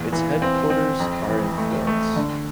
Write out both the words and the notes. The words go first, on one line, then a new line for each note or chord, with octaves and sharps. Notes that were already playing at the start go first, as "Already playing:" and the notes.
Its headquarters are in Florence.
Already playing: E2 A#2
E3
C4
C4
F2
E3
A3
A3
D3